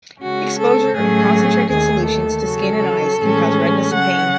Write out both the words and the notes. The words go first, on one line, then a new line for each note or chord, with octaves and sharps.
Exposure of concentrated solutions to skin and eyes can cause redness and pain.
C#3 G#3 C#4 F#4
A4
A2 F#3 A3 C#4 G#4
D#2 D#3 A3 G#4
A4
C#3 F#3 C#4
A2 E3 G#3 C#4
C#3 F#3 C#4 F#5